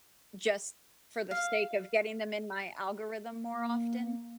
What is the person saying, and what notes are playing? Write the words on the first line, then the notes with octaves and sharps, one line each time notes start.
just for the sake of getting them in my algorithm more often.
F5
A#3